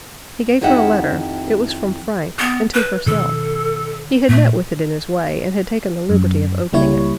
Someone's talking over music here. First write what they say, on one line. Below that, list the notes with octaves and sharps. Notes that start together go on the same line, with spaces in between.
He gave her a letter, it was from Frank, and to herself; he had met with it in his way, and had taken the liberty of opening it.
F2 D#3 E4 G4 D#5 F#5
B3
B4
B2 D#3 A4
A#2 A3
F#2
C#2 G3 A#3 E4 C#5